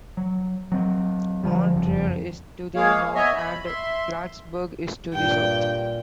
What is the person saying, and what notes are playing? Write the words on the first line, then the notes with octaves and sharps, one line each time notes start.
Montreal is to the north, and Plattsburgh is to the south.
F#3
F#3 C4
D3 F3 G3
F#1 F2
G#3 A#3 G#4 C#5 F5
B3 C#5 D#5 E5 G#5
B5
E5 C6
G2 A#2 G5